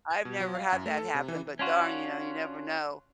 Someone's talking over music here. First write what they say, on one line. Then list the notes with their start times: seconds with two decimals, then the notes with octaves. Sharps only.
I've never had that happen but darn, you know, you never know.
0.10 G#6
0.25 B2
0.40 F#3
0.55 F5
0.72 F#2
0.86 A3
0.97 A4
1.15 C3
1.28 E3
1.59 C#4 D4 F4 F#4